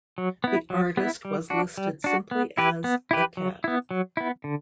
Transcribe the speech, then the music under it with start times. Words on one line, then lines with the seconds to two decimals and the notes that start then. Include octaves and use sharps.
The artist was listed simply as "The Cat".
0.18 F#3
0.44 B3 E4
0.70 F#3
0.97 B3 E4
1.25 G3
1.50 D4 F#4
1.78 G3
2.04 D4 F#4
2.31 B3
2.58 E4 G4 B4
2.84 B3
3.11 E4 G4 B4
3.37 F#3
3.64 B3 E4
3.91 F#3
4.17 B3 E4
4.44 D3